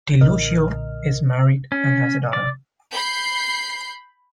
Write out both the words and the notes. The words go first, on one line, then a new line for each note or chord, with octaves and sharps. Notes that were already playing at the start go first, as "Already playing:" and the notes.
DiLucchio is married and has a daughter.
B1 A#2 D3 A#4 D#5 F6
C#4
D5
B5 G6 C7